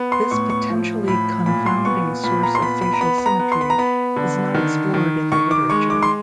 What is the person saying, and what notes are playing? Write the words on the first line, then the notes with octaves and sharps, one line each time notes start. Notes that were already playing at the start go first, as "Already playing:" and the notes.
This potentially confounding source of facial symmetry is not explored in the literature.
Already playing: B3
C6
A2 C#6
C#6
F3
A2 B5
A#2 B5
C6
B3 C#6
A#2 B5
A#5
C6
B3 B5
B5
A#5
B3 B5
B5
A#5
B3
C6
B5
A#5
B3 B5
D3
D#3
D#3
D#3 C#6
D6
G#3 C#6
D6
C6